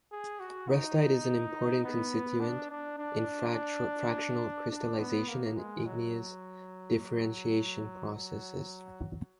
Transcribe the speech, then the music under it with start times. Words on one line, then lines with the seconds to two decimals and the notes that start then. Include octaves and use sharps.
Restite is an important constituent in fractional crystallisation and igneous differentiation processes.
0.12 G#4
0.40 F#4
0.68 D#4
1.84 B3
2.40 D4
2.70 D4
2.98 D4
4.71 D4
4.99 B3
5.28 A#3
5.56 G#3
5.86 F#3
8.15 F#3